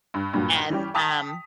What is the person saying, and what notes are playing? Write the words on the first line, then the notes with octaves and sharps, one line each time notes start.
And, um,
G2
G2 A#2 F#3
E3 G3 C#4 G4
G5 A5 D#6 B6 F7